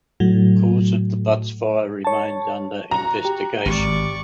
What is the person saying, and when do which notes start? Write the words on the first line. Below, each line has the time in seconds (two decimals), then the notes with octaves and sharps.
The cause of the Butts fire remains under investigation.
0.20 A2 F#3
2.05 C#5 A5
2.91 F#4 A#5
3.25 G4
3.65 G#1 D5 C#6